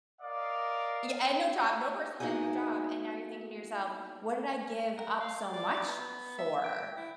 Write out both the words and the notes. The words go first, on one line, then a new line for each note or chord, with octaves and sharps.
Yeah, and no job. No personal life, no job. And now you're thinking to yourself, "What did I give up so much for?"
A#4 D5 D#5 F5
A#3 B3 D#4 E4 F#4 G#4
A#4
F5
D5
D5
D5
B3
E5
G5
E4